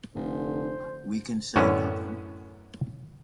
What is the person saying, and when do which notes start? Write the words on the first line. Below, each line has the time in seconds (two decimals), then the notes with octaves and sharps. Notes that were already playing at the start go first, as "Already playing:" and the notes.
We can say nothing.
0.15 F1 D3 C5
1.56 F#2 A2 D3 B3 C#4